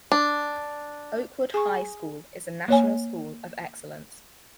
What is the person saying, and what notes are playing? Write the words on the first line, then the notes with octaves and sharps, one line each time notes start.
Oakwood High School is a national school of excellence.
D4
G#4 G#5 C#6
A#3 C#5 G#5